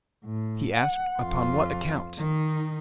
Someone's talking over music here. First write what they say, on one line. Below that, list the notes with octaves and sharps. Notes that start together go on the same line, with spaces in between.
He asked, upon what account?
A2
F#5
F2 F4
D#3 D#4